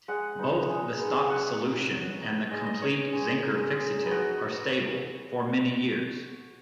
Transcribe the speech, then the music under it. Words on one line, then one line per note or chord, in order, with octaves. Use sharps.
Both the stock solution and the complete Zenker fixative are stable for many years.
G#3 F#5
B3 D#4
G#3
B3 D#4
F#3 F#5
D#4
F#3
D#4
G#3 D#5
D#5
D#4 C#5
G#3
D#4
G#3
B3 D#4
F#4